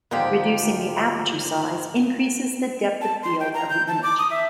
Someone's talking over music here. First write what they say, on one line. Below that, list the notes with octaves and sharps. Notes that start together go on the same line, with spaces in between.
Reducing the aperture size increases the depth of field of the image.
G#2 D3 D#3 F3 G4
A5
C6
G5
A#5
G6
A5
D6
D#6
E5